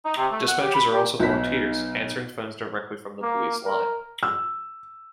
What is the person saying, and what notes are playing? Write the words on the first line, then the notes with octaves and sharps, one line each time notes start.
Dispatchers are also volunteers, answering phones directly from the police line.
D#4
C3
A3
F#5
G4
B5
G4
B1 B6
A#3
A#4
E6